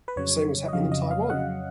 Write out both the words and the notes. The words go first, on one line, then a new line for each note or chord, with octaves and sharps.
The same was happening in Taiwan.
B4
F2 C#3 F#3 C#5
D#5
F2 C#3 F#3 F5
D#5
F5
F2 C#3 F#3 F#5